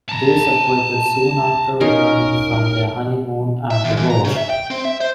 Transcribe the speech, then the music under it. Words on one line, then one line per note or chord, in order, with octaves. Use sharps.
They separated soon after returning from their honeymoon and divorced.
A5 A#5
C#4 D#4 F4 A#4
E5
D#2
E3
A#5
C#3
E5
G5
C4
E5
C5